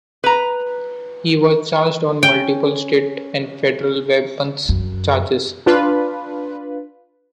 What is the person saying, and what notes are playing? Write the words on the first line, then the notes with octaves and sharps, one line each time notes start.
He was charged on multiple state and federal weapons charges.
B4 A#5
C#4 G5
F#2
D4 F4 B4